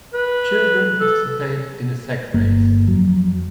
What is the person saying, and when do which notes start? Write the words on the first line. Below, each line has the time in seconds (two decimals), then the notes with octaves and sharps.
Children participate in a sack race.
0.14 B4
1.01 A4
2.34 G1 A#3
2.88 F2 F#3